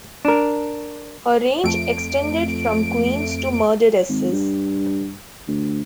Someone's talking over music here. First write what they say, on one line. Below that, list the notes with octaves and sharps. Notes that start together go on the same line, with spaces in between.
Her range extended from queens to murderesses.
D4 A#4
F2 A3 D7
G#1
G2
D2